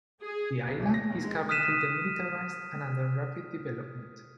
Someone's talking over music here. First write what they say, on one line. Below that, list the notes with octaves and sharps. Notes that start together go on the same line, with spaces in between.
The island is currently demilitarized and under rapid development.
G#4
B1
D1
A#6
D#2
G#3
D#6 F6 F#6 B6 D#7 E7